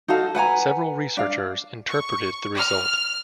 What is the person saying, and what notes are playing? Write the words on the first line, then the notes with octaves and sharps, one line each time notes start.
Several researchers interpreted the result.
D#4 F#4 A4 F5
B4 F#5 G#5 A#5
D4 F5
C#6
F6